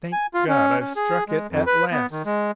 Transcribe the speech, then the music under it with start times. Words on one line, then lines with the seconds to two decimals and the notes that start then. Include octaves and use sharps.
"Thank God, I've struck it at last!"
0.13 G#5
0.34 F4
0.48 C#4
0.80 C#4
0.96 G#4
1.28 G#3
1.50 F2
1.67 B4
1.92 B3
2.12 D#3
2.25 G#3